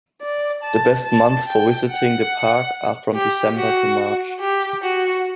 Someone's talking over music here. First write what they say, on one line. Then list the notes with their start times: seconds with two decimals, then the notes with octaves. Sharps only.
The best months for visiting the park are from December to March.
0.21 D5
0.63 A5
1.04 A5
1.47 G5
1.89 F#5
3.14 G4
3.56 F#4
4.40 G4
4.82 F#4